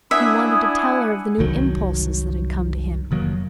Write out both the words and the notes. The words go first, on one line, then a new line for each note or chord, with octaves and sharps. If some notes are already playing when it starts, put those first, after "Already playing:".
He wanted to tell her of the new impulses that had come to him.
D4 E4 E5 F#5 G#5 D#6
F#1 C2 D#3 F#3
F1 D#3 F#3 A#3